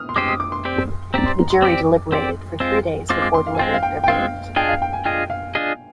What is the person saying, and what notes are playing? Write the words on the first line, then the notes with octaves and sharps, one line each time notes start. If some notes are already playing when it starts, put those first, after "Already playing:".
The jury deliberated for three days before delivering their verdict.
Already playing: D#6 F6
C6
G#3 C4 G4 C5 D#5 D6
D#6
D6
C6
C4 G4 D5
C4 G4 D5 A#5
C6
A#5
C6
C4 G4 D5 D6
C4 G4 D5 C6
G#3 C4 F4
G#3 C4 F4 D6
D6
C6
F5
G#5
G#3 C4 F4 G5
F5
G5
G5
G#3 C4 F4 F5
D4 F4 G#4 D#5 G5
F5
G5
G#5
D4 F4 G#4 D#5 G5
F5
D4 F4 G#4 D#5